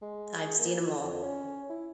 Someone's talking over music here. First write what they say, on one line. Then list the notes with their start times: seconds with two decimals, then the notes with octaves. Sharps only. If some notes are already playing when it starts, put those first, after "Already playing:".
I've seen 'em all
0.02 G#3
0.37 G#4
0.59 A#3
0.88 D3
1.02 F2
1.23 C#4
1.70 E4